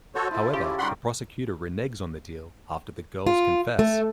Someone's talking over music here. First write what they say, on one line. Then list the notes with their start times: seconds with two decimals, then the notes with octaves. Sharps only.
However, the prosecutor reneges on the deal after the girls confess.
0.15 F#4 A4 C5 C#5 D#5 A5
0.31 E4 F4 A4
0.53 C#3 G4
0.78 D#3 G3 F#4 F#5 B5 C6
3.27 F4
3.79 A3